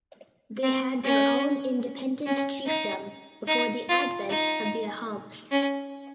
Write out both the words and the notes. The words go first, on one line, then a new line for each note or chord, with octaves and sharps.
They had their own independent chiefdom before the advent of the Ahoms.
C4
C#4
C#4
D#4
D#4
F4
D#4
C#4